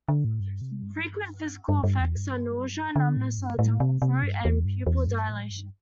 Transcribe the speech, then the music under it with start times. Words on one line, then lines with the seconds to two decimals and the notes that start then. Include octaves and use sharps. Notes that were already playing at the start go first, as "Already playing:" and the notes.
Frequent physical effects are nausea, numbness of the tongue or throat, and pupil dilation.
0.08 D3
0.25 A2
0.40 G2
0.61 C3
0.83 G2
1.69 G2
1.84 G2
2.01 E2
2.16 G2
2.96 D3
3.17 A2
3.38 G2
3.55 C3
3.59 A2
3.80 C3
4.02 C3
4.23 G2
4.45 E2
4.65 G2
4.87 E2
5.08 G2
5.30 A2
5.51 G2